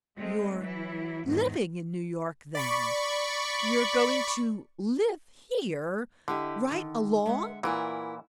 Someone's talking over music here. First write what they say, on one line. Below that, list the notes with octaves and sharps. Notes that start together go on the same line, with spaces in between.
"You're LIVING in New York, then--you're going to live here right along?"
G#3 A3 C4
E3 F#3 E4
E2 G#2 D#3
D5 B5 C#6
D3 E4 G4 D#5
D#3
G#3 E5 F#5
A#2 E3 E4 A#4 F#5